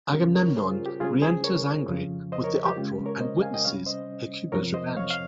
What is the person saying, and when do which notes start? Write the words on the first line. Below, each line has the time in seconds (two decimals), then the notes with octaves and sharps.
Agamemnon re-enters angry with the uproar and witnesses Hecuba's revenge.
0.12 C#3 G3 C#4 G4 A#4
0.35 A#4 C#5
0.56 G#4 C5
0.71 F4
0.86 G4
1.00 C#3 G3 C#4 F4 G#4
1.22 G#4 C5
1.44 A#4 C#5
1.88 F2 C#3 F3
2.32 C5 D#5
2.44 A#4 C#5
2.55 G4
2.66 G4
2.76 C#3 G#3 C#4 F4
2.92 G4
3.06 A#4 C#5
3.20 C5 D#5
3.42 F5 G#5
3.54 D#5 G5
3.64 C3 G3 C#4 C#5 F5
3.86 C5 D#5
4.52 F2 C3 F3 C4 A#4 C#5
4.74 C5 D#5
4.96 C#5 F5
5.10 F5